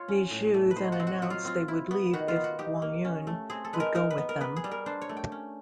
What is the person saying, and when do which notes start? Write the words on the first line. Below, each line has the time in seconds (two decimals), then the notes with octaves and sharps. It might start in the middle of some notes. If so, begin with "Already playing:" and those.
Li Jue then announced they would leave if Wang Yun would go with them.
Already playing: F4 C#5
0.08 C#4
0.31 A2
0.54 A3
0.71 B4
0.76 D#4 C5
0.92 F#4
1.00 C4
1.07 F#4
1.22 F#3 F#4
1.30 F4
1.45 C4 F4
1.68 E4
1.91 B3
2.13 D#3 F#4
2.28 F4
2.36 B3
2.44 F#4
2.59 D#4 G4
2.82 A#3
3.05 C#4
3.27 A3
3.50 C4 G#4
3.64 A4
3.73 G#3 B4
3.80 A#4
3.95 D#4 A#4
4.10 B4
4.18 B3
4.29 A#4
4.41 B3 B4
4.56 G#4
4.64 G3
4.71 A#4
4.86 D4 C5
5.01 C#5
5.09 A3
5.17 G5
5.32 C#4